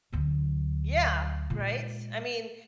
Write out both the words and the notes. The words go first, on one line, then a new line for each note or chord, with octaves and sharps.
Yeah. Right? I mean,
D2 F#3
A#2 G#3